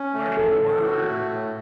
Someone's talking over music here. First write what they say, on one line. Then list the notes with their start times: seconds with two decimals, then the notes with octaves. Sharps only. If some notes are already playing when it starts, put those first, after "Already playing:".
learning Word,
Already playing: C#4
0.14 A3
0.37 A2 A4
0.60 A2
0.84 F#4
1.07 A3
1.30 A2